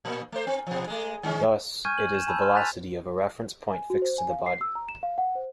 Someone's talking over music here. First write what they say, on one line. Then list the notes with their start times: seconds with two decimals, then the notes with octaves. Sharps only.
Thus, it is the velocity of a reference point fixed to the body.
0.05 A#2 A#3
0.32 A3 C5
0.47 C4
0.67 B2 F3
0.87 G#3 A3
1.23 D#3 G#3 C#4
1.85 G#5 C#6 F6 G6 G#6 D#7
1.98 F#7
2.13 G6 E7
2.27 G#5 A5 B5 E6 G6
2.41 B5 C6 F6
2.54 G#5 F#6 G6 A6 B6 F7
3.70 G#5
3.90 F#4
4.02 C5
4.18 G#5
4.30 F5
4.46 C7
4.61 E6
4.75 A#5
4.89 E7
5.03 F5
5.18 F#5
5.35 C5